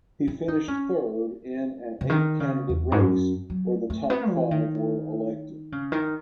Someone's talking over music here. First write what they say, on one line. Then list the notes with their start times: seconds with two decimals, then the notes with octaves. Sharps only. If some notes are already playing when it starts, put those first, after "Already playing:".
He finished third in an eight candidate race where the top five were elected.
0.27 E4
0.48 D#4
0.68 C#4
2.01 C#3
2.10 D#3
2.40 C#3
2.69 E2
2.92 G#2
3.00 F#2
3.50 F#3
3.90 A3
4.10 B3
4.31 E3
4.51 D#3
5.72 C#3
5.92 D#3